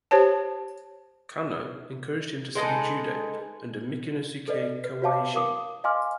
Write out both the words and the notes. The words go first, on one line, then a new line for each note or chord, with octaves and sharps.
Kano encouraged him to study Judo under Mikinosuke Kawaishi.
G4 C5 C#5 A5
G#3 D#4 A4 B4
A4 B4 D5 D#5
B4
F#4 B4 C#5 F5 A5 D6
A#4 F5 D6 D#6
D#5 F5 G#5 C6 D6 F6